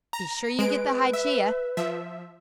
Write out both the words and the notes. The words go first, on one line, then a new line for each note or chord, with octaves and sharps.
Be sure you get the Hygeia.
A#5
G#3 B4 D7
E5
F3 E5